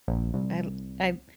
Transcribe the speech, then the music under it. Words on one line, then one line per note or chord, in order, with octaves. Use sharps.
I l I I
A#1
C2